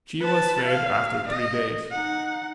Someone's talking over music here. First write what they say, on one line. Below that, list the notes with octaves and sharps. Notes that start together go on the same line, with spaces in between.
She was fed after three days.
B4 A5
F5
D#5
D#4 F#5